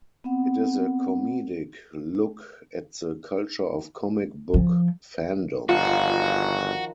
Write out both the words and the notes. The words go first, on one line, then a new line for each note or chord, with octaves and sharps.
It is a comedic look at the culture of comic book fandom.
B3 C4 F#5
F3
G1 D#3 F3 F4 F#4